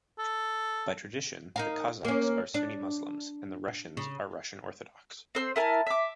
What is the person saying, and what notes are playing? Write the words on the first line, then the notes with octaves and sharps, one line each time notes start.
By tradition the Kazakhs are Sunni Muslims, and the Russians are Russian Orthodox.
A4
D#4 A#4 F5
A#3 C#4
D4
C#3
C4 C5 E6
E4 A#4 G#5 A5
E5 D6